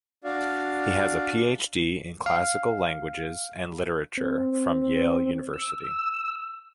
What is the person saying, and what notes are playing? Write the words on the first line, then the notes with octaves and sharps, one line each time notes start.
He has a Ph.D. in classical languages and literature from Yale University.
D4 F#4 D5 F5
F5
C4
E6